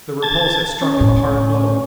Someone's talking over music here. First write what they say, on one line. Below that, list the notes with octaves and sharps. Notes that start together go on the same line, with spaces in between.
The repulse had struck him a hard blow.
A5 G#6 A6
C#4
A2